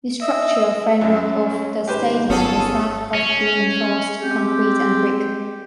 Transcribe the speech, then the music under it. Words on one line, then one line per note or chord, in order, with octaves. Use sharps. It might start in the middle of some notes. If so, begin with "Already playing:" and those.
The structural framework of the stadium is that of reinforced concrete and brick.
D#5 E5 E6
C#2 F#2 C#4
G#1 G#2 G4 B4 C5
G1 B3 C#4 F4 G#4 A4
C#4
G#3 C4 G4